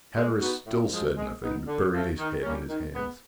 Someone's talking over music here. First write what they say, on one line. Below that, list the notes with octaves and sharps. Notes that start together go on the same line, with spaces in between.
Hatteras still said nothing, but buried his head in his hands.
G#3
B3 D#4 F#4
A2
F3 G#3
G#3
B3 D#4
D3
F3 A3
D#3
G3 A#3 C#4
D#3
G#3 B3